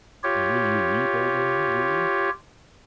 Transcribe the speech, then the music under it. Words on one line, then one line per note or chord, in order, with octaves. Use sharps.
"And will you weep over me, will you?"
F4 G4 C#5